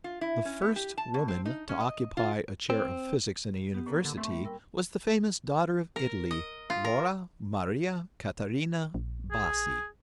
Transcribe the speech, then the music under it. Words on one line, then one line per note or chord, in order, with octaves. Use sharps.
The first woman to occupy a chair of physics in a university was the famous daughter of Italy, Laura Maria Catarina Bassi.
F4
E4
C#4
B3
G4
A5
B2
C4
D#4
C#4
D#5
F4
C4
B3 G4
A2 A#3 D4 A#4 B4
D3
A3 C4 C6 C#6
G3 B5
A#4 G5 E6
A#4
D#5
F4
A#4
A#1
G#4